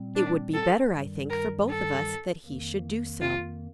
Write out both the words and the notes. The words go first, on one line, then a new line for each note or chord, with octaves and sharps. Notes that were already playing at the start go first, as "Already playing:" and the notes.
"It would be better, I think, for both of us that he should do so."
Already playing: A#2 G3 C4
D4
A4
G2 D#3 G3
A#4
A4
F2 D#3 A#3
F4